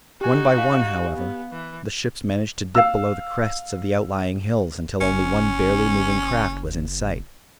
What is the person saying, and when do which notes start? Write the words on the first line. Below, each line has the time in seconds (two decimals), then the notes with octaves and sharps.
One by one, however, the ships managed to dip below the crests of the outlying hills until only one barely moving craft was in sight.
0.21 D#4 F#4 G4 G#5
0.58 F5
1.15 B3
1.52 E3
2.75 F5 E6
5.01 F#1 C#4